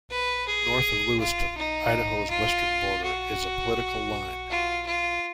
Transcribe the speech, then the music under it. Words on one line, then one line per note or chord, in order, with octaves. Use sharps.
North of Lewiston, Idaho's western border is a political line.
B4
G#4
F4
D#4
F4
F#4
F4
F4